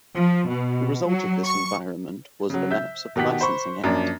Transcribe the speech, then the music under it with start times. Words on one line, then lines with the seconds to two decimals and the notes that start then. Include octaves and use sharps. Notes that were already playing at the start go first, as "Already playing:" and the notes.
The result of this environment was the lapse of the Licensing Act.
0.16 F3
0.49 B2
1.07 F#3
1.44 C#6
2.50 C#3 F#3
2.71 E5 G6
3.16 B2 D#3 G4 F#5 B6
3.41 C5 B5 C#6
3.84 F#2 F3 A#3 D4